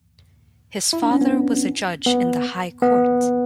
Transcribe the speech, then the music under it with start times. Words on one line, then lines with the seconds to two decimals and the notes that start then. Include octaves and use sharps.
His father was a judge in the High Court.
0.93 E4
1.02 D4
1.11 C#4
1.21 B3
2.06 B3
2.82 B3